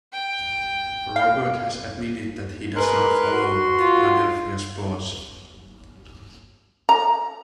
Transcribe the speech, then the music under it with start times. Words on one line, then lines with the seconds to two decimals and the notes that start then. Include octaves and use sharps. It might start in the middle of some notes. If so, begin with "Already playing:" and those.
Robert has admitted that he does not follow Philadelphia sports.
0.12 G5
1.16 F5
2.76 G#3 A#4 B4 C6 F#6
3.32 F#4 C6
3.78 F4
6.89 A#5